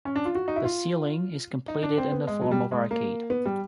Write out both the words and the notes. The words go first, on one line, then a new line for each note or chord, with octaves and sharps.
The ceiling is completed in the form of arcade.
C#4
D4
F4
F#4
D#4
E4
F4
D#4
D4
C4
B3
G#3
F#3
G3
G#3
A#3
B3
G3